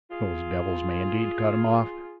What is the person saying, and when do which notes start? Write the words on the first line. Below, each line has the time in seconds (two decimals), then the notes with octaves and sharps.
Those devils may indeed cut him off.
0.11 F4 G#4